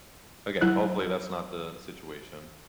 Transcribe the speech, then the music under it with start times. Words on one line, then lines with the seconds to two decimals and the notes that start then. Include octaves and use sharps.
again, hopefully, that's not the situation.
0.61 F#3 E4 F#6